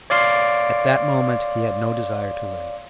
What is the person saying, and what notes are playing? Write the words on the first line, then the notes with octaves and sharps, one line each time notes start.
At that moment he had no desire to live.
C#5 D5 F5 C6